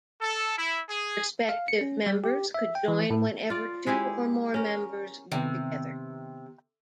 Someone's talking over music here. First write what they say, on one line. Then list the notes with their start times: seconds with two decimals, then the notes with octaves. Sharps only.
Prospective members could join whenever two or more members were together.
0.21 A4
0.57 E4
0.89 G#4
1.49 F5
1.68 C#7
1.81 C#4
2.06 G3
2.24 G4
2.54 E5
2.75 G5
2.88 E3
3.10 A2
3.50 F4 D5
3.86 G#3 E4 G4 G#4
4.54 C#4 A#4
5.32 C3 D#3 B3